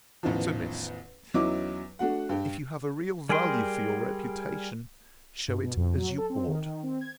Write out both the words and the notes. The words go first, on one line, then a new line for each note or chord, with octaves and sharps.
So, Miss, if you have a real value for your reputation, shew it as you ought.
A1 E2 D#3 F3
E2 F#3 C#4 D#4 E4 D6
A3 D4 F#4 F#5
G2 G4
G3 G#4 A#4 G5 C6
G2
B2
F2
F#3
A4
C4
D#3
D#3
C4
G#6